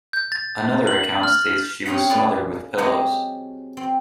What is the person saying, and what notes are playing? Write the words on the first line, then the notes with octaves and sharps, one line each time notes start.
Another account states she was smothered with pillows.
G6
A6
F#7
F6
C4 C#4 G#4 F5 F#5
D4 F4 G#4 A4 B4 D5
F#3 G#3 C4 G4 C5 D#5
C4